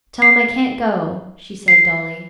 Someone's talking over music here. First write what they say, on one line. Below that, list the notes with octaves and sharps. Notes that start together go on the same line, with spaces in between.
"Tell him I can't go," she said dully.
C7
C7